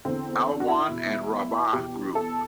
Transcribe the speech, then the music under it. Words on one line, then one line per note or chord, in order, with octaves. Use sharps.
Alwan And Rabaa Group.
E2 D3 C4
D4
F#4
E4
E2 B2
E2 B2 G4
A4